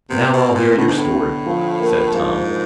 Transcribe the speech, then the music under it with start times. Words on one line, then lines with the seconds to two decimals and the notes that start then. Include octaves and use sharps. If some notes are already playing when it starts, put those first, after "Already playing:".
"Now I'll hear your story," said Tom.
0.10 C3 B3
0.33 B2
0.44 B3
0.55 A#2
0.78 A2 D3
0.88 G#2
0.97 A2
1.12 D3
1.46 F3
1.80 A#3
2.14 G#2 F3
2.48 F3